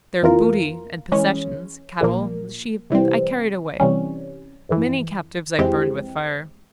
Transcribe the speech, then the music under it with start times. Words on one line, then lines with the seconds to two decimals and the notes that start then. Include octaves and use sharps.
Their booty and possessions, cattle, sheep, I carried away; many captives I burned with fire.
0.22 F2 E3 A#3 F4 A#4
1.12 E3 G#3 C#4
2.01 A#1 A#2 F3 A#3
2.90 C3 E3 G3 C4
3.80 C3 E3 G3 C#4
4.69 G1 F2 E3
5.58 F2 E3 G#3 C4 G4